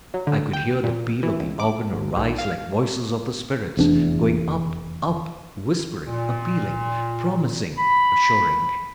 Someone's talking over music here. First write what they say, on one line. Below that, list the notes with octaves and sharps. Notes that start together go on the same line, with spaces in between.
I could hear the peal of the organ arise like voices of the spirits, going up, up, whispering, appealing, promising, assuring.
F#3
D3
G5
A#2
E3
C#2
D6
G#1
B1
F5
F1 E2 D4
A#2
B5